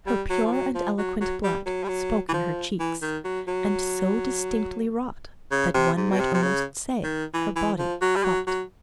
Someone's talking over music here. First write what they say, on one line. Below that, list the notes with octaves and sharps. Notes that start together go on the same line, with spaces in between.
"Her pure and eloquent blood Spoke in her cheeks, and so distinctly wrought, That one might almost say her body thought."
G3
F#3
F3
F#3
F3
F#3
F#3
G3
F#3
G3
F#3
E3
F3
E3
D#3
F#3
F#3
C#3
C3
G#2
B2
C3
C3
C#3
D#3
E3
E3
F3
F#3
G3
F#3
F#3